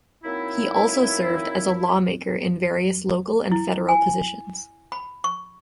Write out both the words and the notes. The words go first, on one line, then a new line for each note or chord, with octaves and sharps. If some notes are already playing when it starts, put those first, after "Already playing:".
He also served as a lawmaker in various local and federal positions.
F#3 A#3 C4 D#4 E4
E4
G#5
B5
C#6